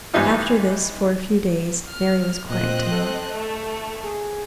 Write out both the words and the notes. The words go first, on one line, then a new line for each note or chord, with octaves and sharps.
After this, for a few days, Mary was quiet enough.
G#2 E3 G3 B3 D#4 F4
F6
A#2 C4 D#5 F#6
A4
A3
G#4